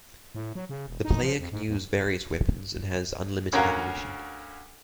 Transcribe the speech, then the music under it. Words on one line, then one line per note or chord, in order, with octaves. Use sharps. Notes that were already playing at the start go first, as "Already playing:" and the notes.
The player can use various weapons and has unlimited ammunition.
A2
F#3
C#3
E1
D#4
F3
F2
G#2
E2
D2 C#4 F#4 A#4 F5